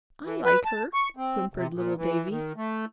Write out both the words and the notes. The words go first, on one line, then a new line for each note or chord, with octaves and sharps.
"I like her," whimpered little Davie.
E3
B4
A5
C#6
C4
C3
A#2
E3
D#3
A3